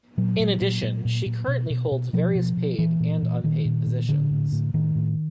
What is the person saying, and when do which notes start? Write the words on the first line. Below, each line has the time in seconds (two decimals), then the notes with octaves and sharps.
In addition, she currently holds various paid and unpaid positions.
0.18 A#2 F#3
0.40 A#2
0.61 A#2
0.83 A#2
1.05 A#2
1.26 A#2
1.48 B2
1.70 B2
1.91 B2
2.13 B2 F3
2.35 B2
2.57 B2
2.79 A#2 E3
3.00 A#2
3.22 A#2
3.44 A#2 D#3
3.65 A#2
3.87 A#2
4.08 A2 D3
4.31 A2
4.52 A2
4.74 A2 D#3
4.95 A2